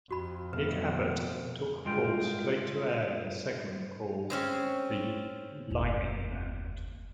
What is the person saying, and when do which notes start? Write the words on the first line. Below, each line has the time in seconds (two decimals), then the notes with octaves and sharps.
Nick Abbot took calls straight to air in a segment calls the "Lightning Round".
0.11 F2 F#4 B5
0.53 B2 A3 B4
1.85 G2 G#3 F4 G5
4.30 G#3 C4 C#4
5.70 F#1 D#2